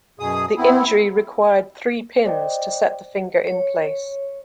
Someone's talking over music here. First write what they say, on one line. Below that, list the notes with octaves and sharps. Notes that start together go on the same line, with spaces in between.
The injury required three pins to set the finger in place.
F#2 B2 G#4 D#6
B3 C4 E4
C5 D5 D#5 G5
C#5